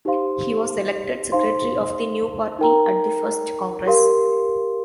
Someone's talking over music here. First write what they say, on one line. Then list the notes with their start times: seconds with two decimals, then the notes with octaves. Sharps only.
He was elected secretary of the new party at the first congress.
0.05 D#4 G4 C5 F5 C6
1.32 D#4 C5 F5 C6
2.59 D#4 A#4 G5 A#5
3.86 G4 A#4 F5 C6